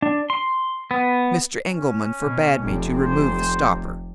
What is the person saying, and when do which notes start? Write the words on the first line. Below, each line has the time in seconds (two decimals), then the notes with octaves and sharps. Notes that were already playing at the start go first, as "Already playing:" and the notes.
Mr. Engelman forbade me to remove the stopper.
0.02 D4
0.30 C6
0.91 B3
1.67 C#4
2.22 B2
2.61 F1 C3
3.00 C5